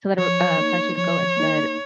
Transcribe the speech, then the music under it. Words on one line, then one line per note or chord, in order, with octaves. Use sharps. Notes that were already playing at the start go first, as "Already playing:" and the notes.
To let a r uh, friendship go instead.
F3 C#5
A#3 D#4
F3 C#5
A#3 D#4